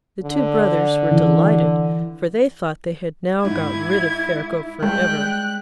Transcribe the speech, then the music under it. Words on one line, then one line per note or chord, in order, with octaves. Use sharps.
The two brothers were delighted, for they thought they had now got rid of Ferko for ever.
D3
E3
G#2 E4 G#6
G3 G#3 G5 F#6